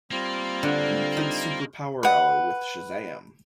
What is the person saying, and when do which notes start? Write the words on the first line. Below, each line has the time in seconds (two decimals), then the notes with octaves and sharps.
The Kid Super Power Hour with Shazam!
0.11 G3 A#3 C4 F4
0.63 D3
1.17 D#4
2.03 B4 F#5